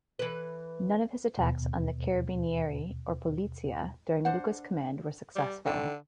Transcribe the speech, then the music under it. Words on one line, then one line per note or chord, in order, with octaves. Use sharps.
None of his attacks on the Carabinieri or Polizia during Luca's command were successful.
E3 B4
D#2 B2
D4 C5 F#5
G3
D3 D#4 A4 G5